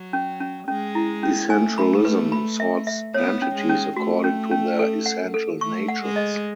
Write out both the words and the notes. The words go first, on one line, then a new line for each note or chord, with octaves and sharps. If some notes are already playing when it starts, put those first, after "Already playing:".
Essentialism sorts entities according to their essential natures.
Already playing: F#3
C#4
C#4
G#3 C#4
E4
C#4
A3 G#5
B5
B4
B5
E5
E5
B3 C#5
C#4
G#3
C#4
A3 F#4
C#4
C#4
A4
F#5
A4
A3 C#6
F#5
G#3
D#5